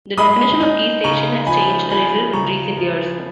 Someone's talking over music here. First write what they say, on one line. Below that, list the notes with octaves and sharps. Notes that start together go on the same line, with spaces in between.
The definition of key station has changed a little in recent years.
G#3 B5 D#6
D#4
C#3 A#5 C#6
F3 G#5 B5
F3 G#5 B5
C#3 A#5 C#6
F3